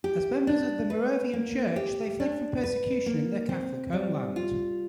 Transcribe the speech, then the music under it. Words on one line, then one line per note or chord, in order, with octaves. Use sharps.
As members of the Moravian Church, they fled from persecution in their Catholic homeland.
G4
D4
B4
A#3
G4
D4
B4
A#3
C4
G3
F4